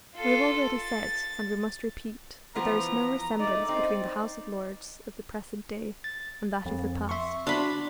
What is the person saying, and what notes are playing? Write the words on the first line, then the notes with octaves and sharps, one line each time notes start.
We have already said, and we must repeat, that there is no resemblance between the House of Lords of the present day and that of the past.
F4 A4
A6
E3 F3 B3 A#5
A3 D#4 D5
C4 D#4
A6
F2
E5 C6 C#6
D4 F#4 B5 C6